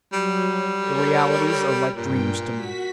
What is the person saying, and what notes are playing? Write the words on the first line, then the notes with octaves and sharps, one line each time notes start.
The realities are like dreams to me.
F#3 G3
A4 A#4 C#5
G2 A#2 G5
F#4 B6